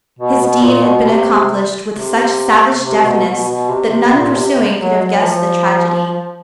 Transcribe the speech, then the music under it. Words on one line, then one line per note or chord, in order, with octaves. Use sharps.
His deed had been accomplished with such savage deftness that none pursuing could have guessed the tragedy.
B2
B2
A#2
B2
C3
C3
C3
B2
B2
B2
C3
C3
A#2
C3
F#3
F#3
F3